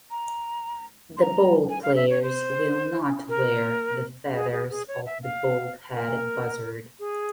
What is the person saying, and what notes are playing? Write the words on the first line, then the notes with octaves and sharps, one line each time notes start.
The ball-players will not wear the feathers of the bald-headed buzzard.
A#5
C6
A#5
G#5
F5
E5
C#5
C5
A#4
G#4
G#4
G#4
C#5
E5
F5
A#4
G#4